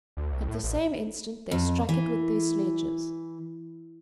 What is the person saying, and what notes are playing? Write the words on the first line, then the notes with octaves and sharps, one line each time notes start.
At the same instant they struck it with their sledges.
D2
C2
A2
A1
F2
E3